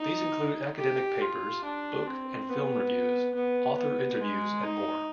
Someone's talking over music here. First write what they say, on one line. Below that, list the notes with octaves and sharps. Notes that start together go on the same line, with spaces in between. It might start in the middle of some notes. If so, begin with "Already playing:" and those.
These include academic papers, book and film reviews, author interviews and more.
Already playing: D#4
G4
F4
D4
C4
B3
B3
B3
G#3
D#4